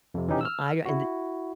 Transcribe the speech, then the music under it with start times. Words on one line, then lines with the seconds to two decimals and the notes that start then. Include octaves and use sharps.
you know, I and i
0.14 F2 C3
0.28 E3 C#4 D#4 G4
0.41 E6 F6
0.86 E4 F#4